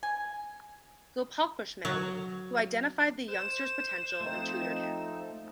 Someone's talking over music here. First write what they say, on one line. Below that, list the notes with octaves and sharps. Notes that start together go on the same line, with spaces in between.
Gopalkrishnan, who identified the youngster's potential and tutored him.
G#5
F#3
C5 E7
F3 A3 C4 D#4